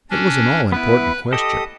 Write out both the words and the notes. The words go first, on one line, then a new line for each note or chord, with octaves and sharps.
It was an all-important question.
C#4 D4
B3 E4 B4
G4 A4 D#5 D#6